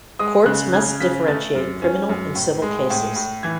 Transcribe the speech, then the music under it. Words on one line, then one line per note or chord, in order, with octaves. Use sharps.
Courts must differentiate criminal and civil cases.
G#3 D#6
C#3 F#6
C#3 G#6
C#3 B6
A3 A6
F#2
C#4
F#2
A2
G#3
A2
A2
E3 G#6